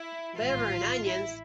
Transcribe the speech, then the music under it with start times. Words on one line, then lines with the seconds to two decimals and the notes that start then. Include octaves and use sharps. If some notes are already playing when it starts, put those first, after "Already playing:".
Liver and onions.
Already playing: E4
0.37 A1 G#2 D#3 F4
1.05 E4